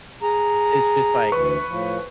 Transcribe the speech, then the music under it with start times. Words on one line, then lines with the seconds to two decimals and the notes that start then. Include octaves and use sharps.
it's just, like,
0.22 G#4 A#5
1.32 D2 E3 B4 C#6
1.68 A2 F3